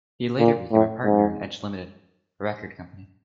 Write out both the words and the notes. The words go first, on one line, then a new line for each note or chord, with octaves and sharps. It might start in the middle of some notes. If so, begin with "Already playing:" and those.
He later became a partner in Edge Limited, a record company.
A#2
A2
G#2